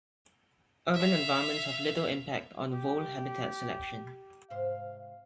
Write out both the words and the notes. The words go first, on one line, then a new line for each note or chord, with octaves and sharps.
Urban environments have little impact on vole habitat selection.
E5 F5
G3 G4
G#2 C3 C5 F5